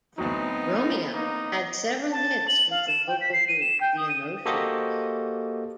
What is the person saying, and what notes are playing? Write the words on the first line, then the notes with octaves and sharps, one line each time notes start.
Romeo had several hits with the vocal group the Emotions.
D2 F#3 B3 C4 D#4
A#3 D#4
A5
F#7
F5
E7
G5
B6
C7
D#7
E7
G5
D#6
D#7
A#3 F#4 G4 A4 C5 D#5